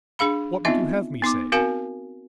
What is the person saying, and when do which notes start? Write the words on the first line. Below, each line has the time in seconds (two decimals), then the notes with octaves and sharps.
What would you have me say?'
0.19 D4 G#4 F5 B5
0.65 B3 C4 D#4 F4 D#5 E5
1.22 B3 D#4 C6 D6
1.52 C4 F#4 A#4 F5 G#5